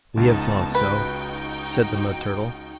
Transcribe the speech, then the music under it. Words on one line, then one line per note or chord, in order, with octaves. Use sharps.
"We have thought so," said the Mud Turtle.
C#2 B3 D#4 A5
D#4 F#4 B4 G5